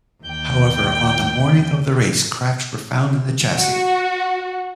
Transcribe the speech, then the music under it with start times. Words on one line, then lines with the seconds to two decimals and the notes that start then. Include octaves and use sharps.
However, on the morning of the race, cracks were found in the chassis.
0.23 D#2 G5
3.54 F#4